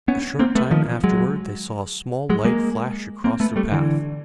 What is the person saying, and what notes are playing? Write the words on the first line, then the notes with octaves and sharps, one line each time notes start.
A short time afterward they saw a small light flash across their path.
B3 C#4
A#3 C4
A3 B3
D#3 F3
F#3 G#3
F#3 G#3
G#3 A#3
A#3 C4
A3 B3
G3 A3
D3 E3